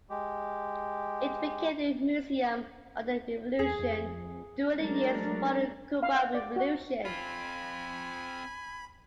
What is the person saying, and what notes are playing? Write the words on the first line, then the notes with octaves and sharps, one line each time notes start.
It became the Museum of the Revolution during the years following the Cuban Revolution.
G#3 G4
E2 G#4
F2
F#3 G#3 A3 D4 A#4
F5
F#5
D5
F#4
C4 F4 G#5 B5